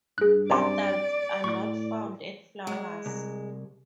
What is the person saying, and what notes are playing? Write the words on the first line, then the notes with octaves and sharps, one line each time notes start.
Adults are not found at flowers.
G2 G#4 F#6
C2 F#2 C3 D5
A2 C#6
G#3
C2